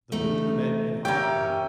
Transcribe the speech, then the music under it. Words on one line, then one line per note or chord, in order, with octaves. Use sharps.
The mood of the men enheartened him.
E2 A3 D#4
C#4 G4 A#4 C#5 E5 G5